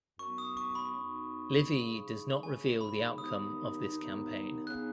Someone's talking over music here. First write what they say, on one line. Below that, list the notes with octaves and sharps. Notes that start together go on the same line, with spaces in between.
Livy does not reveal the outcome of this campaign.
F#2 F#3 B3 D#4 C#6
D#6
C#6
B5
F#2 F#3 B3 D#4
C#3 G#3 D#4
C#3 G#3 D#4 G#5
B5
D#2 D#3 B3 D#4 D#6
D#2 D#3 B3 D#4
C#3 B3 D#4 F#6